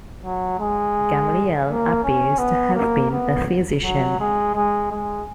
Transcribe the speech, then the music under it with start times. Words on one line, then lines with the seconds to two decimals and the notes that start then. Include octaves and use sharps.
Gamliel appears to have been a physician.
0.23 F#3
0.59 G#3
1.67 A#3
2.04 C#4
2.38 B3
2.74 A#3
3.11 B3
3.83 F#3
4.19 G#3
4.55 G#3
4.92 G#3